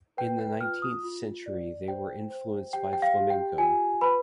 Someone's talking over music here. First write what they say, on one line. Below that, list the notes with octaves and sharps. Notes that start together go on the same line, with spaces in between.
In the nineteenth century they were influenced by Flamenco.
B4 G5
G5
F4 F6
D#6
F4
D5
C5 G5
C5
G4 G5
G5
F5
G4
G5
F4 G#5
B4 B5